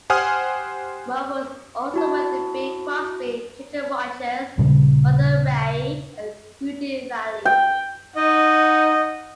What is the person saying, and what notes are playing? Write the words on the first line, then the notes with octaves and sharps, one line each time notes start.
Morros also worked with Bing Crosby, Ginger Rogers, Martha Raye, and Rudy Vallee.
G4 C5 F#5 G#5 D#6 F6
E4 F#4 A5
D#1 A#2 C#3 G3
G5
D#4 D#5 F#5